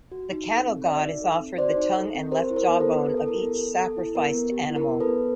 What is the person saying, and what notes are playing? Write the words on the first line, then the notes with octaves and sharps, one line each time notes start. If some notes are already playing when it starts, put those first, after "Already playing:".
The cattle god is offered the tongue and left jawbone of each sacrificed animal.
F#4
D#4
A4
C4
F#4 D5 E5
D#4
A4
C4
F#4 C5 D5
D#4
A4
C4
G4 A#4 C5
E4
A#4 C5
B3
A4 B4
B3
G4 A#4
A4
E4 A#4
B3 A4
B3
G4 A4
E4
B3 A#4
B3
G4
E4
A#4
B3
A4 B4
B3